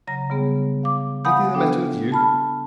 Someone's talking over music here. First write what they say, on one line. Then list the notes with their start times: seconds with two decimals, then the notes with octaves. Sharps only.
Anything the matter with you?'
0.07 C#3 F#3 A#5 A#6
0.30 C#3 G3 B3 G#4
0.83 F5 D6
1.25 F5 F#5 G#5 B5 D#6 G6
1.54 B3 D4 A4 G5
2.12 A5 B5 F6